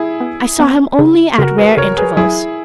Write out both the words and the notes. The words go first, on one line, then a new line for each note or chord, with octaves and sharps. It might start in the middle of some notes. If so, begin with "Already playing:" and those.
I saw him only at rare intervals.
Already playing: E4 G#4
B3
B3
C#3
C#3 F#4 A#4
G#4 B4
C#3 A#4 C#5
G#4 B4
F#3 E4 G#4